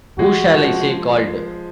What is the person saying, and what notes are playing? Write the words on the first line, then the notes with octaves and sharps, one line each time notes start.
Who shall I say called?
G#3 F#4
F3